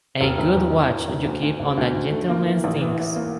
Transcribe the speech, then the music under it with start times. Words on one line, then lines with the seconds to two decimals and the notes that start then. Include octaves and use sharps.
A good watch you keep on a gentleman's things!
0.21 E1
0.38 E1
0.56 E2
0.73 E3
0.90 E1
1.08 E1
1.25 D2
1.42 D2
1.59 D2
1.77 D2
1.94 D2
2.12 A3
2.29 A#3
2.46 E3
2.64 A1
2.81 E3
2.98 E3
3.16 A#3